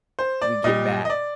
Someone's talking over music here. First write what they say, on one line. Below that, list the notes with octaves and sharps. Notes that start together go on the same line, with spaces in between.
we get back
C5
D5
A#2 G3 D#5
D#5
D5